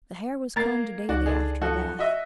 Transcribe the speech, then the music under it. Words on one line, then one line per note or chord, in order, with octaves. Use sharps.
The hair was combed daily after a bath.
A#3 A#5 G#6 A6 C7
C#2 D#4 F#4 D5
D3 D4 G#4
F3 F#4 A4
F#4 D#5 E5